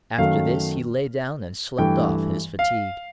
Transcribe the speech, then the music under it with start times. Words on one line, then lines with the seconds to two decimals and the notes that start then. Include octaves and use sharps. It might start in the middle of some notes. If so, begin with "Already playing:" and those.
After this he lay down and slept off his fatigue.
0.18 F#2 D#3 F#3 A3 F5
1.78 G2 E3 A3 G5
2.59 F5